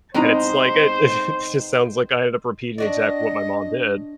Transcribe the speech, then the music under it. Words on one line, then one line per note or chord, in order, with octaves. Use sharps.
And it's like it it just sounds like I ended up repeating exactly what my mom did.
B2 G#3 C4 D#4 C5 A#5
D4 F#4 D5 D#5